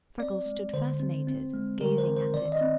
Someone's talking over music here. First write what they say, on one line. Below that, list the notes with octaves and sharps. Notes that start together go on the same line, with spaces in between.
Freckles stood fascinated, gazing at it.
C4 D5
G#3
D3 C5
C4
C4
G#3
D3 A#4
C5
C4
C5
D#3 D5
D#5
C4